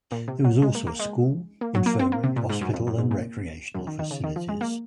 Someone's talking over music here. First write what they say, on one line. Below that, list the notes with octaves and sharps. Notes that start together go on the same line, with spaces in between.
There was also a school, infirmary, hospital, and recreational facilities.
A#2
C3
F#3
G#3
A#3
A#3
G#3
A#3
F#3
A#3
C4
A#3
C3
A#2
G#2
F#2
F2
F#2
G#2
A#2
F#2
D#3
D#3
C#3
D#3
F3
G#3
A#3